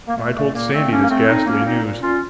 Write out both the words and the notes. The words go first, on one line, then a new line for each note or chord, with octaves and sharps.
I told Sandy this ghastly news.
A#3
A#2 A3
A#2 A3
A#2 A#3
A#2 A3 C4
A2 A#3 C#4
A#3
A2 A3 C4
A2 C4 D#4
A2 A#3 C#4
F4
A#2 C4 D#4
A#2
A#2 C#4 F4